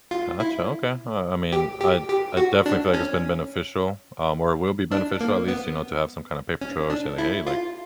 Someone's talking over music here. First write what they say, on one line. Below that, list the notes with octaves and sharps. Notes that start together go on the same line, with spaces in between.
Gotcha. Okay, well, I mean, I I definitely feel like it's been beneficial, um, or it will be beneficial at least, you know, to have some kinda paper trail or say, like, "Hey, like,
F4
E4
G4
G4
G4
F#4
D4
C#4
D4
A#3
B3
C#4
D4
E4
F4